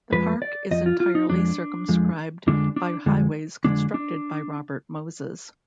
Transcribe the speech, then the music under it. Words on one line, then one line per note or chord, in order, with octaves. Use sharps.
The park is entirely circumscribed by highways constructed by Robert Moses.
F2 F3 G#3 B4
D5
F2 F3 D#5
F4
F4
D#4
F2 F3 G#3 D4
F2 F3 G#3
F2 D3 G#3 D4
D4
F2 D3 G#3
F2 D3 G#3 D4
D4